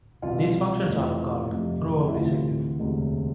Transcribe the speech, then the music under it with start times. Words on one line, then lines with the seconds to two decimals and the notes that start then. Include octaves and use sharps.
Those functions are called provably secure.
0.22 C2 B2 F4
0.87 F1 F2 E3
1.51 F1 F2 C3
2.07 E4
2.15 D2 C3 E3 F4
2.79 E1 D2 C3